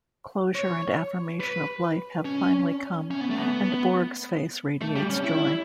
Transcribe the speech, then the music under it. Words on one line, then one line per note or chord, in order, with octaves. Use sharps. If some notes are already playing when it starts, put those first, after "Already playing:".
Closure and affirmation of life have finally come, and Borg's face radiates joy.
C#5
B4
C#4
C#4
B3
A3
B3
A3
G3
C#4
E4